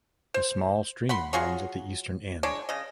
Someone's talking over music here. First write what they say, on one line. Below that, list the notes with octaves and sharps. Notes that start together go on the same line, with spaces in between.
A small stream runs at the eastern end.
C5
F#5 B5 C6
F#3 F4 G#4 C#5
G#3 D4 C#5
C#3 D#5